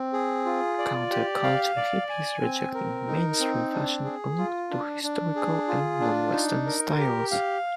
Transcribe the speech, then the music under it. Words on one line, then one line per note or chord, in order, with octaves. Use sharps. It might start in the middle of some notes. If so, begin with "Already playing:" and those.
Counterculture Hippies rejecting mainstream fashion looked to historical and non-Western styles.
Already playing: C4
G#4
F4
D5
G4
F5
D5
G#5
C4
A#4
D#4
C4
D4
G#4
F4
D4
D4
G#4
F4
D4
D#4
A#4
G4
F5